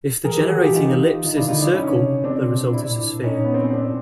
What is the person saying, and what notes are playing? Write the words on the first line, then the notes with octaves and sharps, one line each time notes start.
If the generating ellipse is a circle, the result is a sphere.
F3 G#4 A#4
E3
D#3 G4 A4
F#4 G#4
E3 F4 G4
E3 D#4 F4
D#3 D#4 F4
D4 E4
D3 D#4 F4
D4 E4
C#3 C#4 D#4
C3
C#3 C4 D4
C3
B2
A#2 D4 E4
A#2
C#4 D#4
B3
C4
C#4
C4 D4